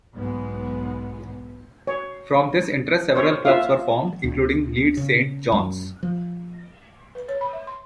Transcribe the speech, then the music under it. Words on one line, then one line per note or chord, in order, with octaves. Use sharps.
From this interest several clubs were formed, including Leeds Saint John's.
B1 G#2 G#3 B3
C#5
C5 C#5
F4 E5 F5
D2
C#3
F#2
F3
B4
C#5
B5
E5
C6